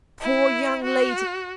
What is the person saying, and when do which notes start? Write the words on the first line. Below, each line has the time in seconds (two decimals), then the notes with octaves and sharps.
'Poor young lady!
0.21 E4
0.84 F#4